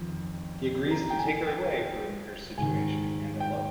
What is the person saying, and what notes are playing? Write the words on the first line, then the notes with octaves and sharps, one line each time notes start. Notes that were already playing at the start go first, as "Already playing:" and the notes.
He agrees to take her away from her situation and elope.
Already playing: F2 D#3
A#5
G5
G#5
G5
G#2 D#3 G#5
G5